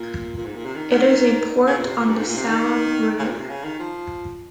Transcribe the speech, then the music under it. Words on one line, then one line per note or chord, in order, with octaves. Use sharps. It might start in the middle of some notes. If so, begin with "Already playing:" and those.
It is a port on the Saloum River.
Already playing: A#2
A#2
G#2
A#2
C3
D#3
D#3
C#3
A#2
C3
A#2
G2
G#2
A#2
C3
D#3
C#3
G#2
A#2
C3
C#3
D#3
F3